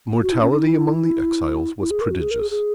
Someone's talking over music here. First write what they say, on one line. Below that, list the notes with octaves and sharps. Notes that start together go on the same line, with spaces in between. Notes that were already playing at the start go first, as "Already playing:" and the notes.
The mortality among the exiles was prodigious.
F#4
E4
C#4
D#4
E4
E4
G#4
A#4
F#4
G#4
A#4
G#4
G#4